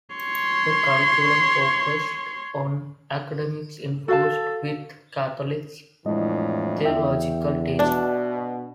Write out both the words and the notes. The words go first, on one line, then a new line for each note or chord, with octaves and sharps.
The curriculum focused on academics infused with Catholic theological teaching.
C#5 C6
F#4 A4 F5 A5
F2 A2 E3 G#3 D4 D#5
E2 E5 G5
B2 D4